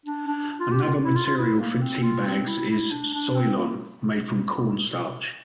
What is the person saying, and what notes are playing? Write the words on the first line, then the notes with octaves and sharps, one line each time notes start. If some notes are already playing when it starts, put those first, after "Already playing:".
Another material for tea bags is Soilon, made from corn starch.
D4
D4
F4
G4
F4
E4
F4
F4
E4
A#3
C4
F4
C4
E4
E4
D4
D4
C4
A#3